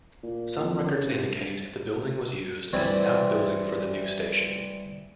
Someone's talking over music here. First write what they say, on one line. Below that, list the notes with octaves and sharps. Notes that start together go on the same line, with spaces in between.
Some records indicate the building was used as an outbuilding for the new station.
A#2
F2
C#3
C3
G2
E3 G3 C4